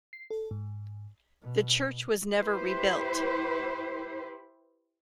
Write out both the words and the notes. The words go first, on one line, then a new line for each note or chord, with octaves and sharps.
The church was never rebuilt.
C7
A4
G#2
B2
E4 G4 B4 C5